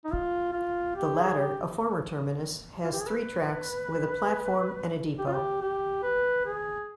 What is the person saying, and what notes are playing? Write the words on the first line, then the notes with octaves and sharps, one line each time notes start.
The latter, a former terminus, has three tracks with a platform and a depot.
D#4
F4
F4
G4
G#4
G4
F4
G4
G#4
B4
G4
F4
G4
G4
B4
G#4